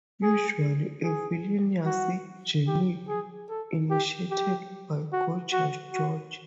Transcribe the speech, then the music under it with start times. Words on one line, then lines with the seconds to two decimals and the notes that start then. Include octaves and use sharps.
Usually a villainous gimmick, initiated by Gorgeous George.
0.22 G#4
1.04 G#4
1.86 F#4
2.67 G4
3.08 G#4
3.49 A4
3.90 G4
4.31 G4
5.12 F#4
5.52 F#4
5.93 F#4